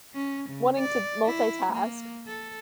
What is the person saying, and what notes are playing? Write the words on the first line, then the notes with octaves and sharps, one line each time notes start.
wanting to multitask,
C#4
C#3
D5
E4
A#3
A4